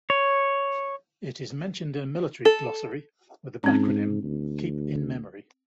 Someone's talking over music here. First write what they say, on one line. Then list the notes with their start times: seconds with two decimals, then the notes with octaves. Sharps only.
It is mentioned in a military glossary with the backronym "Keep In Memory".
0.10 C#5
2.45 A4
3.64 G#2 C4 C#4
4.23 D2